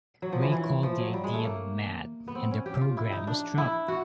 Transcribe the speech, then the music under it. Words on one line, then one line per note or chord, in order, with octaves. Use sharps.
Ray called the idea "mad", and the programme was dropped.
F#3
F3
E3
E3
F3
F#3
G3
G#3
A3
A#3
B3
C4
C#4
G4
F4
E4
D#4
D4
E4
F#4